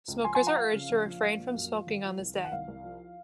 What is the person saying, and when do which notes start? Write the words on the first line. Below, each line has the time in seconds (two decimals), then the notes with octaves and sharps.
Smokers are urged to refrain from smoking on this day.
0.08 C#2
0.24 F3 G#5 C6
0.35 G#5 C6
0.42 F3
0.47 F#5 A#5
0.57 F3 F5
0.73 C#3
0.90 A#1
1.06 F3
1.21 A#1 F5
1.38 A#2
1.54 F#2
1.71 F3
1.87 G#1
2.03 F3
2.19 C2
2.36 D#3
2.45 F#5
2.52 C2 F5
2.68 C2
2.84 F3